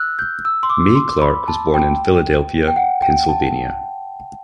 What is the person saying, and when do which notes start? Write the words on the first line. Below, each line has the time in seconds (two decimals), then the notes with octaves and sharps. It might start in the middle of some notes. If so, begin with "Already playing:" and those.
Mae Clarke was born in Philadelphia, Pennsylvania.
Already playing: E6 F#6
0.19 G6
0.45 E6
0.63 C6
0.70 D6
0.95 C6
1.22 B5
1.48 A5
1.74 G5
2.68 G5
2.76 F#5
3.02 G5
3.29 A5